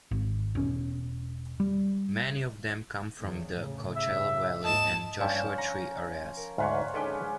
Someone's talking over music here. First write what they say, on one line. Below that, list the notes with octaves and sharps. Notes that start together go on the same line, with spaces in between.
Many of them come from the Coachella Valley and Joshua Tree areas.
G#1
E1 C#4
G3
E2 C#3
A2 C#3
E5
A1 D#2 G#2 D#5 A5 E7
G2 F3 C#4 G5
F#5 A#5
A#4
D2 G#2 F4 B4 C#5
G#2 C#4 D4 A4 B4 G5